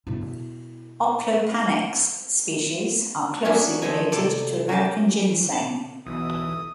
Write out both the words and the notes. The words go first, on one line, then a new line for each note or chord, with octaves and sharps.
"Oplopanax" species are closely related to American ginseng.
B2 E4
F#3 B3 C#4 D4 E4
D#3 F3 D#5 E5 G#5 A#5
C3 F#3 A4 D5
C#4 G4 A#4 A5
A5
B1 B2 E3 D#6